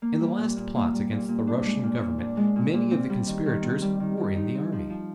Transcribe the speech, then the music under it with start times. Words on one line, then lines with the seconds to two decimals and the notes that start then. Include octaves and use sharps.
In the last plots against the Russian Government many of the conspirators were in the army.
0.02 A#3
0.20 G3
0.38 A#2
0.56 A#2
0.75 A#3
0.93 G3
1.11 A#2
1.28 A#2
1.47 D4
1.65 G#3
1.84 A#2
2.01 A#2
2.18 D4
2.37 G#3
2.56 A#2
2.73 A#2
2.91 C4
3.10 G3
3.27 D#3
3.46 D#3
3.64 C4
3.82 G3
4.00 D#3
4.18 D#3
4.36 D#4
4.55 C4
4.72 F3
4.90 F3